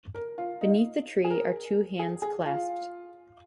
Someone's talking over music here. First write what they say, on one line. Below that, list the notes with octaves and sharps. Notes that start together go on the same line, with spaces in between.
Beneath the tree are two hands clasped.
A#4
F4
D#4
G#4
A#4
G#4
G#4
F4